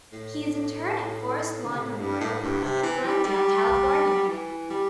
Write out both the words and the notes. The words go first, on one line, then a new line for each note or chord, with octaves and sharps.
He is interred at Forest Lawn Memorial Park in Glendale, California.
A2
D3
C3
A2
G2
A2
G2
C3
E3
G3
G3
E3
G3